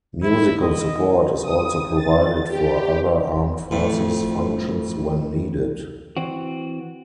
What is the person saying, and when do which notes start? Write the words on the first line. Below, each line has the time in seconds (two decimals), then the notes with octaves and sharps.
Musical support is also provided for other armed forces functions when needed.
0.23 E4
0.62 D#5
1.41 D#6
1.95 A6
2.47 G4
3.71 F2 A2
6.17 E3 C4 F#4